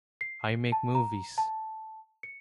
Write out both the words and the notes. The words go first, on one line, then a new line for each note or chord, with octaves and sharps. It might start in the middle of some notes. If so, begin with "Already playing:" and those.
I make movies.
C7
A5
A#5
A5
C#7